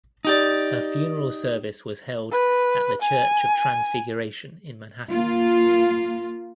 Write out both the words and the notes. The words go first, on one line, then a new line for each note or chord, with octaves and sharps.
Her funeral service was held at the Church of Transfiguration in Manhattan.
D#4 G4 D5
B4
G#5
A#3 F4